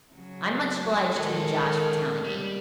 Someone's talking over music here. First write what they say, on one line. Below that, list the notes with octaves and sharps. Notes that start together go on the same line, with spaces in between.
I'm much obliged to you, Josh, for telling me.
C#3 F#3
D#3 G#3 C#4 A4 A#4
G3